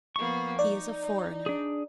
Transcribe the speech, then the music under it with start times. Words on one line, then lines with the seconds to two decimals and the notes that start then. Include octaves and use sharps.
"He is a foreigner."
0.16 F3 A#3 B3 C#6
0.59 D#4 D5
1.46 D4 G#4